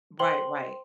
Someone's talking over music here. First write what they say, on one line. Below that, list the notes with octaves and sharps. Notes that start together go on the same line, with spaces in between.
Right, right.
C5 G5 C6 F#7 G7